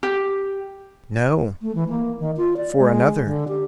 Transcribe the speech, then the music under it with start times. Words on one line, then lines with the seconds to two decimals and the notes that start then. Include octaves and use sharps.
"No; for another."
0.03 G4
1.62 A3
1.75 E3
1.89 A#3
2.19 D#3
2.37 F4
2.57 D5
2.78 G#3
3.24 D3
3.48 G4